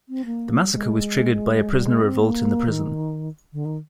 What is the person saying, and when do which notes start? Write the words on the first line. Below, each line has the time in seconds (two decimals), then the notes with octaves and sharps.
The massacre was triggered by a prisoner revolt in the prison.
0.09 C4
0.25 A#3
0.65 G3
0.74 G#3
1.71 G3
1.87 G#3
2.03 C4
2.20 A#3
2.68 D#3
3.53 D3
3.65 D#3